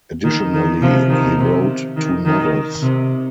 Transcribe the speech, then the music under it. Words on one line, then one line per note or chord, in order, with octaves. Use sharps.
Additionally, he wrote two novels.
D#3
D#3
C3 F3
D#3
C3
D#3
D#3
C3